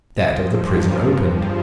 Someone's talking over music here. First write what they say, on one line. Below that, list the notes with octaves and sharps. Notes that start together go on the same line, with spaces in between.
That of the prison opened.
G2 F3 C5 D#5
A#4 D5
G2 F3 G#4 C5